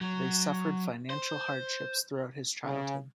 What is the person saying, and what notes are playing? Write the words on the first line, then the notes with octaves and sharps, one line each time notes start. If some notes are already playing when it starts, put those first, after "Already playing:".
They suffered financial hardships throughout his childhood.
F#3
C5
C#3